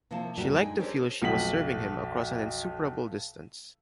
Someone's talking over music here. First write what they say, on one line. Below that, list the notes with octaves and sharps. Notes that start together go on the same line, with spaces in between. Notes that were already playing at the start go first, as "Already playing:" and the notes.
She liked to feel she was serving him across an insuperable distance.
C3 F3 A#3 E4 A5
D2 A#2 G3 F#4 E5
D3 G#3 D#4 G5 G#5
G4 A4 A#4 C5 C#5
B1 F2 B6 F#7